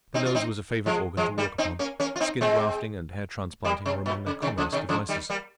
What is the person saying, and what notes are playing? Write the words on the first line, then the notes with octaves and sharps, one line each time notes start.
The nose was a favorite organ to work upon. Skin-grafting and hair-transplanting were among their commonest devices.
C4 D#4
F4
C4 D#4
F3 G#3
F3 G#3
G3 A#3
C4 D#4
A#3 C#4
A#3 C#4
F4
C4 D#4
G#3 C4
G3 A#3
C3
A#2
C#3
C3 D#3
C#3 F3
C3 D#3
C#3 F3
D#3 G3
G3 A#3